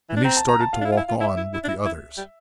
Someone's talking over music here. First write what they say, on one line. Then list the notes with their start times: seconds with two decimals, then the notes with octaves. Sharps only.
Then he started to walk on with the others.
0.09 E3
0.16 D4
0.24 C4 A#5
0.37 A5
0.49 A#5
0.60 A5
0.73 F4 F5
0.81 D4
0.85 E4
0.92 F4
0.97 E4
1.09 F4
1.20 E4 E5
1.37 E4
1.53 E4
1.64 D4
1.68 E4
1.86 E4
2.17 G3